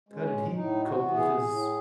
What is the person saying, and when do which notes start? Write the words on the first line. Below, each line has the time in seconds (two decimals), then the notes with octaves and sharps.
how did he cope with his
0.09 G#3 C#4
0.54 A2 D#4
0.85 F#4
0.99 E3 B3
1.14 G#4
1.45 A2